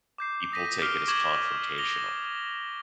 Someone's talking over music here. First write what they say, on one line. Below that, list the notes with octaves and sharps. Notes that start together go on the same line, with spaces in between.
people take it as confrontational,
D6 G6 C7
D#6 A#6 B6 D#7
D6 F6 C7 D7 F7 G7
C#6 D6 G#6 E7 F#7 G7
D6 A#6 F7 G7